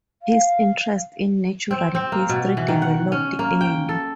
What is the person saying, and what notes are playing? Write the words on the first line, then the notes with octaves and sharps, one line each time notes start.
His interest in natural history developed early.
F5
C4
C4
A#3
B2
E3
D#3
F#5
C#4
A#3
G5
A4